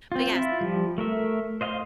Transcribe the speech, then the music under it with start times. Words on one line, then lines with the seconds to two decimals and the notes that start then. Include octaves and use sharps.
But yes. Uh.
0.12 C4 F4
0.35 E4 F4 E5
0.61 F3 G3
0.98 A3 A#4 E5
1.61 C5 D#5 F5 F#5 C6